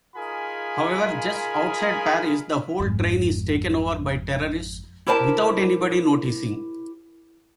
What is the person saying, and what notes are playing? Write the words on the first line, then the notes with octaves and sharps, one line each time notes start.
However, just outside Paris the whole train is taken over by terrorists-without anybody noticing.
D#4 F4 G#4 A#4 G#5 B5
G#1 F2
E4 G4 A#4 C5 G#5 A5